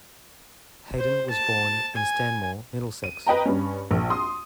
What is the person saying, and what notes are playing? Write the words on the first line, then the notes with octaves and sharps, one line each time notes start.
Hayden was born in Stanmore, Middlesex.
C5
A5
G#5
D#7
B4 D#5 G5 A#5
G2 C#4
A#1
C6 D#6